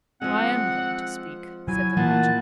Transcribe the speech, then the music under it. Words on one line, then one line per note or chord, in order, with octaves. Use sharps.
"I am going to speak," said the merchant.
F3 G#3 C4 F#5
F#3 E4 G#5
A#2 D#3 E3 F#5 A5